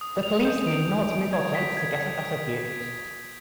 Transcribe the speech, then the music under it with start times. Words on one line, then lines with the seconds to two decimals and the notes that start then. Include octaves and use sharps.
The police may not move objects to get a better view.
0.01 D#6
0.23 F7
0.45 G6
0.67 D7
0.90 D#6
1.11 D7
1.33 G#6
1.55 B6
1.77 G#6
1.99 G#6